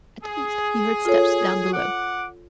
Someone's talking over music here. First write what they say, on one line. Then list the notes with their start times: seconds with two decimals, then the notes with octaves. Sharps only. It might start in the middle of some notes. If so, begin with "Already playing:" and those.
At last he heard steps down below.
0.23 G#4
1.05 F4 A4 C#5
1.73 F#5 D6